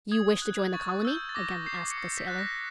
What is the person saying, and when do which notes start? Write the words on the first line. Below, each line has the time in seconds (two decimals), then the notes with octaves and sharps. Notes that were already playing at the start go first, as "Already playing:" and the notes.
"You wish to join the colony?" again asked the sailor.
0.11 D#6 G#6
0.42 F#6
0.73 C#6 A6
1.05 E6 G6
1.29 A6
1.35 D6 A#6
1.66 G6 C7
1.91 C#7
1.97 D6 C7
2.18 B6
2.28 F#6 A6
2.38 A#6